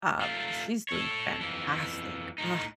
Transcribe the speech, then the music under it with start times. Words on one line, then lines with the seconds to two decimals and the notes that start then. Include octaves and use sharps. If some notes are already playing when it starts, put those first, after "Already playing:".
um, she's doing fantastic, ugh.
0.21 A3 F4
0.89 A4 C#5
1.40 F2 E3
2.38 A2 D#4